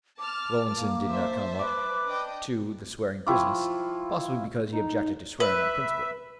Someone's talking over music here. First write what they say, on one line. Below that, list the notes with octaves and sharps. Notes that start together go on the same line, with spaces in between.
Rollinson did not come up to the swearing business; possibly because he objected to swearing on principle.
A5 D6 F6
A#3
C5 E5 A5
B4 D6
D4 D#5 G5
F3 E4 F4 G5 C#6 D6
D#4
B4 E5